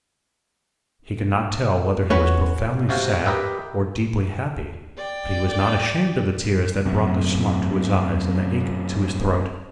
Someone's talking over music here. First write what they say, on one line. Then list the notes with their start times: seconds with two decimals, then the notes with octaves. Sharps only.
He could not tell whether he was profoundly sad or deeply happy; but he was not ashamed of the tears that brought the smart to his eyes and the ache to his throat.
2.10 E2 C#4 F#4 B4
2.89 C#2 C3 F#4 F5
3.26 G4 A#4 B4 D#5 E5 G5
4.97 D5 G5
6.85 F#2 C3